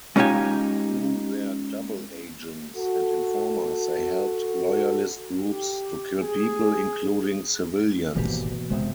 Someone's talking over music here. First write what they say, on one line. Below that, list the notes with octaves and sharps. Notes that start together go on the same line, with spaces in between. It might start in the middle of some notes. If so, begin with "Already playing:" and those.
Through their double-agents and informers, they helped loyalist groups to kill people, including civilians.
G#3 C#4 D#4 F4 G4 G#5
F#4 A4
G4
G#4
D1 G#1 B2 E3 A#3 G4
F#1 C3 G#3 B3 C5 E5